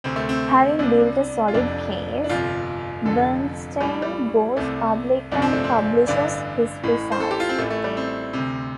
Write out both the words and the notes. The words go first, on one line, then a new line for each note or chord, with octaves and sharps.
Having built a solid case, Bernstein goes public and publishes his results.
D2 C3 C4
A3
C4
C2 C3 D4
F4
F1 F2 C3 D4
D4
G1 F2 C3 F4
F1 F2 D3 A4
A1 A2 G3
G3
C2 C3 A3
G1 F2 C3 D4
C4
A3
C4
A1 G2 D3 D5
A1 A2
C5
A4
G4
F4
C4
A1 A2 A3
A3
G3
C4
D2 C3